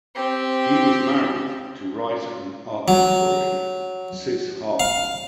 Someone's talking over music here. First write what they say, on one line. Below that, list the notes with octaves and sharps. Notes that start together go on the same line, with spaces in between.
He was married to writer and art historian Sys Hartmann.
C4 G4
F#3
F5